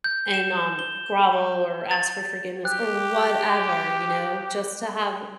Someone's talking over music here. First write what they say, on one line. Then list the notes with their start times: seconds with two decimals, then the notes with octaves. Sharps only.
and, um, grovel or ask for forgiveness or whatever, you know, just to have
0.04 G6
0.34 E7
0.79 G7
1.91 A6
2.65 G4 F#6